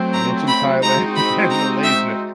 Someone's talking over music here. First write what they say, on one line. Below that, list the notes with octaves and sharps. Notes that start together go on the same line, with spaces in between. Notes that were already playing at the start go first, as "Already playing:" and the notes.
I mentioned Thailand and Malaysia.
Already playing: F#3 A3 C4
A#5
B5
G#3 C4 D#4 F#4 A#5
B5
A#5
E5